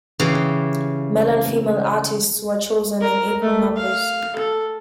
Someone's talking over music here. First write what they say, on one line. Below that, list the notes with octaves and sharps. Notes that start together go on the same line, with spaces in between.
Male and female artists were chosen in equal numbers.
C#3 E3 G4 F5
A#4
A3
F5
A4